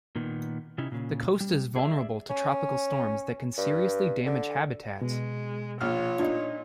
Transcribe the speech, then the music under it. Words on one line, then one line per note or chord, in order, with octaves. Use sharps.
The coast is vulnerable to tropical storms that can seriously damage habitats.
A#2 D#3 B3
C3 C#4 D#4 E4
A#2 C#3
G3
G#4 D5 E5
C#4
G2
D3
B2 G#3
A#1 F4 C#5 F6
A#2 D4 D#4